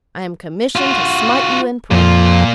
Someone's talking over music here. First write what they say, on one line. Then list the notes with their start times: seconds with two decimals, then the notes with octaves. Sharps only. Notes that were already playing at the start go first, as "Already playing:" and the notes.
I am commissioned to smite you in print.
0.76 F4 F#4
1.91 F2 A#2 F4